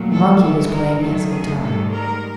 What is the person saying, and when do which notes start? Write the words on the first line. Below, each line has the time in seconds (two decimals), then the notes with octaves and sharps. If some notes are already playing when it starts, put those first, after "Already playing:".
The monkey was playing his guitar.
Already playing: A#2 F#3 A3
0.11 A4
0.41 G2 E3 G#3 A4
0.71 A#4
1.00 F#2 D#3 F#3 A3 A4
1.30 G#4
1.60 G#2 D#3 G3 A4
1.90 A#4